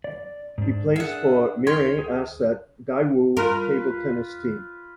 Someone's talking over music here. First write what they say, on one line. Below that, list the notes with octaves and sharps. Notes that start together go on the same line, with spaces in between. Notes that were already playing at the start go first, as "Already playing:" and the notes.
He plays for Mirae Asset Daewoo table tennis team.
D5
G#2 D4
D4 G#4 A#4 E5 F#5
D#4 A#4 C#5 G5 C6
G#4
F4 A#4 B4